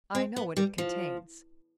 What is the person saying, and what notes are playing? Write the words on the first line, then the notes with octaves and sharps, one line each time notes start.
I know what it contains.
C4
B3
G3
F3